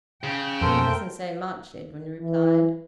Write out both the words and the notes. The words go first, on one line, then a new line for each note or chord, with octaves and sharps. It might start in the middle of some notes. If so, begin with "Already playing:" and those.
"He doesn't say much," Edwin replied.
C#3 G5
F2 B2 A4 A#4 C5
E3